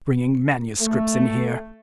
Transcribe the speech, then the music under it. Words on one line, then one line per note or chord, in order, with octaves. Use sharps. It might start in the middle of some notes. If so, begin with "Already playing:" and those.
Bringing manuscripts in here!
A3